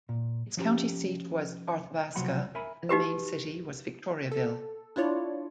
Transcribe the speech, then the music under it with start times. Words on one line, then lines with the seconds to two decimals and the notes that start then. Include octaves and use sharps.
Its county seat was Arthabaska and the main city was Victoriaville.
0.09 A#2
0.57 F3 C#4 G4 A#5
2.15 C3 F3 F#3 F#5 B5
2.55 A#4 E5 G#5 B5
2.89 D#4 F#4 G4 B4
4.32 A4
4.96 D4 E4 F4 C#5 D5